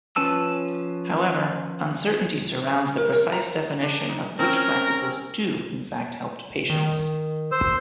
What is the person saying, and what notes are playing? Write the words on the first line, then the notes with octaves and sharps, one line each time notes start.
However, uncertainty surrounds the precise definition of which practices do in fact help patients.
F3 C#4 B4 A5 E6
A#4
A#4
A#5
D4
D#4
C4 C#4 A#4
D#3
C5 E6